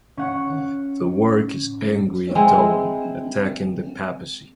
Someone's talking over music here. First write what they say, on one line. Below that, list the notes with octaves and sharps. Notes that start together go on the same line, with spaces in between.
The work is angry in tone, attacking the papacy.
C#4 F#5 C#6
G#3 C4 E4